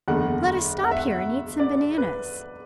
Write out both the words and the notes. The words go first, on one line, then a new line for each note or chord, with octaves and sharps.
Let us stop here and eat some bananas.
F#1 E2 D3 F#5
F#5
E5
F#5
D5
B4